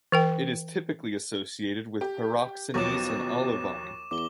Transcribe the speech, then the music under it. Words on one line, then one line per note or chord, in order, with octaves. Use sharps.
It is typically associated with pyroxenes and olivine.
E3 A#4 G5
G4
D#2 B2 F3 F#3 C#6 D6 E7
E2 D6 G7